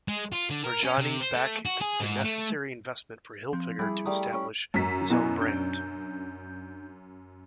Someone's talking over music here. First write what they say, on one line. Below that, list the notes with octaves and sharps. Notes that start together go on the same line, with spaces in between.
Murjani backed the necessary investment for Hilfiger to establish his own brand.
G#3
F4
D3
A#4
C#4
C3
C5
A3
F#4
G#4
G#2
A3
F3 C4
G3 E4 G#4
G3 A3 A5 A#5 D#6
C#4 C#6
F#2 B6
B2 E4 G#5
C#4 D4 G6